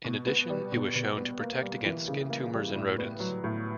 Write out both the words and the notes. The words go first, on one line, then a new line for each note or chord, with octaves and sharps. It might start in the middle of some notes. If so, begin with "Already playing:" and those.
In addition, it was shown to protect against skin tumors in rodents.
B2
B3
G3
B2
B2
B3
A#3
G3
E3
C#3
A#3
G3
A2
B3
F#3
A2